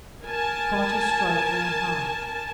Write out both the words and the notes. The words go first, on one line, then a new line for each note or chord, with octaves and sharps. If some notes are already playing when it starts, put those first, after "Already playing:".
Party strife ran high.
A#4 G#5 A5